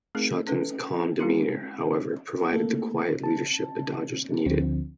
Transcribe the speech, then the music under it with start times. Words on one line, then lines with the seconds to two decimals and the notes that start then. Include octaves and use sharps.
Shotton's calm demeanor, however, provided the quiet leadership the Dodgers needed.
0.15 A3 C4 D#4 G#4 A#4
0.47 C#4 A4 B4
1.19 G#3 C4 D#4 E4 F#4 A#4
2.51 A3 A#3 A4
3.23 A5
4.46 D2 D3 F3 C4